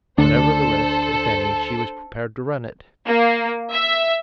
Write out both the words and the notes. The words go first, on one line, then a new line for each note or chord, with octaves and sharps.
Whatever the risk, if any, she was prepared to run it.
D2 D4 A4 C5
A#3
E5